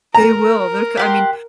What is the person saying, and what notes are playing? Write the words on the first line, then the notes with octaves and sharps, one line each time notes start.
They will, they're c I mean,
A#4 A#5
G4 F#5 C6